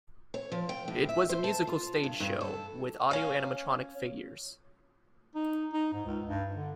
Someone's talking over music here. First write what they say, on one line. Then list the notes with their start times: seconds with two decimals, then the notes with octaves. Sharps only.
It was a musical stage show, with audio-animatronic figures.
0.34 C#5
0.52 F3
0.69 G5
0.88 A2
1.09 E5
1.29 C5
1.44 A5
1.67 F4
2.04 G2
2.20 G2
2.41 A4
3.11 C#4 F5
5.35 D#4
5.73 D#4
5.93 G#2
6.06 C#2
6.25 G2
6.55 D3